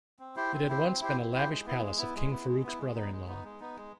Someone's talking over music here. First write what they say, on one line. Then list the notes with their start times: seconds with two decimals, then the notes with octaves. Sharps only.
It had once been a lavish palace of King Farouk's brother-in-law.
0.19 C4
0.36 E4 G4 C5
0.53 C4
0.69 E4 G4 C5
0.85 C4
1.01 E4 G4 C5
1.17 C4
1.34 E4 G4 C5
1.50 G#3
1.66 B3 E4
1.82 G#3
1.98 B3 E4
2.15 G#3
2.31 B3 E4
2.47 G#3
2.63 B3 E4
2.79 G#3
2.95 B3 D#4
3.11 G#3
3.27 B3 D#4
3.44 G#3
3.60 B3 D#4
3.76 G#3